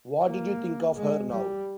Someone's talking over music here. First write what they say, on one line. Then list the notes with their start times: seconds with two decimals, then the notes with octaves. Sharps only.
What did you think of her, now?
0.23 A#3
0.96 G#3
1.31 G3